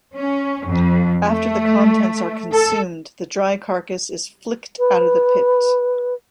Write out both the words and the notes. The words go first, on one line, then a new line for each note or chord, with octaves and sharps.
After the contents are consumed, the dry carcass is flicked out of the pit.
C#4
F2
A3
A4
B4